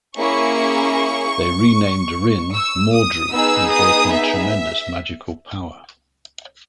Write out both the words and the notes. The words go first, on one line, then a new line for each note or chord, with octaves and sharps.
They renamed Wrynn, "Mordru" and gave him tremendous magical power.
A#3 C#4 E4 G#4 C#6
E6
D#6
B3 D#4 G#4 E6
D#6
E5